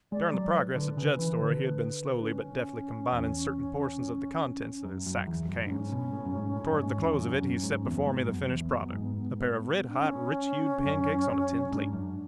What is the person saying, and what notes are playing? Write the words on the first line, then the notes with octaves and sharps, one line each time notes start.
During the progress of Jud's story he had been slowly but deftly combining certain portions of the contents of his sacks and cans. Toward the close of it he set before me the finished product--a pair of red-hot, rich-hued pancakes on a tin plate.
G#3 D5
F#3
B4
D3
C#3
E3
D3
D4
C#4
E2
F#2
F#2
E2
F#2
A2 D4
G#2 C#4
B2
A2
F#2
G#2
A2
F#2
G#2
E2
F#2
F#2 C#4
G#2
E2 B3
F#2
G#2
F#2
E2
F#2
G#2
D4
C#4
F#2
F#2
G#2 D4
F#2